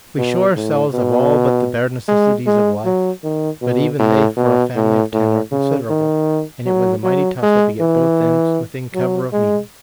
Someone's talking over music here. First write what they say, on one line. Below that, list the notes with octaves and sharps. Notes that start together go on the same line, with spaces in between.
We shore ourselves of all but the bare necessaries of life, but even they for a family of ten are considerable, and it was a mighty tussle to get both ends within cover of meeting.
B2
A2
B2
G#3
G#3
F#3
D#3
B2
A2
B2
A2
A2
C#3
D#3
F#3
F#3
G#3
E3
F#3
G#3